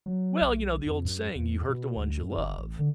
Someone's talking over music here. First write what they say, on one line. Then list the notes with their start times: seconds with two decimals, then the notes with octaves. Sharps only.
Well, you know, the old saying, "You hurt the ones you love,"
0.06 F#3
0.41 B1
0.86 F2
1.05 F#2
1.35 E2
1.68 B2
1.96 D2
2.21 F#2
2.37 G1
2.57 A1
2.79 D3